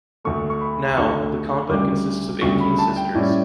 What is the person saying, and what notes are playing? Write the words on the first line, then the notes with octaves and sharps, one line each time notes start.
Now, the convent consists of eighteen sisters.
D2 D3 A3 C#6
C#6
B5
D2 D3 A3 C#6
D2 C#3 G3 D6
D2 C#3 G3 C#6
B5
A5
G5
A2 G3 C#4 E4 D5